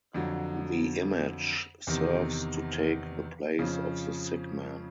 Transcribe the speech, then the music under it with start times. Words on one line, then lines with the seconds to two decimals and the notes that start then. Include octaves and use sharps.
The image serves to take the place of the sick man.
0.14 F2 D3 F#3
1.87 E2 C3 D#3
3.59 F2 C#3 F3